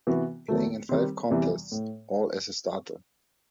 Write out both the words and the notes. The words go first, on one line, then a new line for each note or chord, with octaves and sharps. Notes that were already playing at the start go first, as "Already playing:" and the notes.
Playing in five contests, all as a starter.
C3 E3 B3 F#4
E2 D#3 F#3 A3
D#3 G3 C4
E2 C3 E3 G3
A2